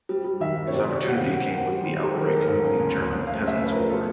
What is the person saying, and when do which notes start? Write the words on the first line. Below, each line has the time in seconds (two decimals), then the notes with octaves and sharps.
His opportunity came with the outbreak of the German Peasants' War.
0.09 G3
0.24 G3
0.41 D#3 E5
0.57 D#3
0.67 C#5
0.72 C3 D5
0.89 C3 C#5
1.04 G3
1.09 F#5
1.15 D#3 F5
1.36 C4 F#5
1.53 C4
1.58 F#5
1.68 G3
1.79 D#3 C5
1.99 G3 A4
2.16 D#3
2.21 A#4
2.31 D#3 A4
2.43 G#2 A#4
2.63 C#3 A#4
2.79 D2
2.94 D2
3.11 D2
3.27 A3 F5
3.42 C#3
3.47 E5
3.58 A3
3.64 B4
3.69 F3 A#4
3.89 B2 A4